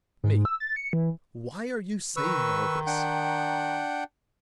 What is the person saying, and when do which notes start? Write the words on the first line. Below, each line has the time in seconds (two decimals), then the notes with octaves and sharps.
ME: Why are you saying all this?
0.24 G#2
0.45 E6
0.60 A6
0.76 C#7
0.93 E3
2.17 D#3 B4 C#6 E6
2.87 D4 F#5 G5